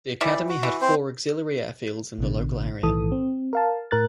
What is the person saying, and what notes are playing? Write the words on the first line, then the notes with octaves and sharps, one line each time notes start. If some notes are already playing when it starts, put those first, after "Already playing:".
The Academy had four auxiliary airfields in the local area.
E3 G3 D5
F#4
E3
C4 C5
A1 B2 D3
B1 A2 D#3 E3 A4 D#6
C4
A#4 F5 A5
A2 A#4 F#6 A6